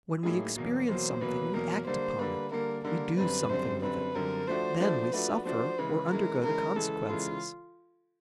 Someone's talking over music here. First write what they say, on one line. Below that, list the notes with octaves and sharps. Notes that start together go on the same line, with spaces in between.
When we experience something we act upon it, we do something with it; then we suffer or undergo the consequences.
A2 F#3 A#3 D#4 G#4
E2 B2 F#3 A#3
E2 B2 F#3 A#3 C5
E2 B2 F#3 A#3 B4
E2 B2 F#3 A#3 A#4
D3 G3 A#3 C5
D3 G3 A#3 B4
D3 G3 A#3 A#4
D3 G3 A#3 A#4
F#2 D3 G3 C4 B4
F#2 D3 G3 C4 C5
F#2 D3 G3 C4 B4
F#2 D3 G3 C4 A#4
F3 A3 D4 F#4 C5
F3 A3 D4 F#4 C5
F3 A3 D4 F#4 B4
F3 A3 D4 F#4 C5
C#3 E3 G#3 B4
C#3 E3 G#3 A#4
C#3 E3 G#3 A#4
C#3 E3 G#3 A4
C#3 E3 G#3 F4